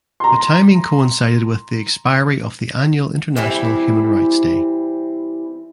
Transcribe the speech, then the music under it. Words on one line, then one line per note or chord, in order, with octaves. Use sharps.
The timing coincided with the expiry of the annual International Human Rights Day.
A#5 C6
E3 G3 C4 E4